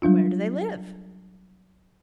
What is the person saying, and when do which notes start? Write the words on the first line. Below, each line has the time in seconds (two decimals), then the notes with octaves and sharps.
"Where do they live?"
0.02 F#3 G3 D4 F4